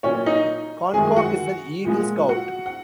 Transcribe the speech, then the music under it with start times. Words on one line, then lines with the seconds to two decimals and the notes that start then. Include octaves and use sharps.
Koncak is an Eagle Scout.
0.03 A#2 F#3 C#4 C#5
0.26 D#4 D#5
0.94 F#2 D#3 G#3 G#4 G#5
1.16 F#4 F#5
1.84 A#2 F3 G#3
2.29 F#4 F#5
2.66 F#5